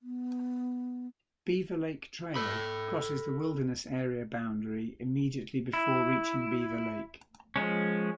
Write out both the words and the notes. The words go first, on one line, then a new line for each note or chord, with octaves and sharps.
Beaver Lake Trail crosses the wilderness area boundary immediately before reaching Beaver Lake.
B3
A4 B5
E4
F3 G#3 C#4